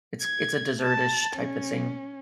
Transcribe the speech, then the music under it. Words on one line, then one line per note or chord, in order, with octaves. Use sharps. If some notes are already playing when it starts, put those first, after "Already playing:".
It's it's a dessert-ish type of thing.
G#6
A5
C#4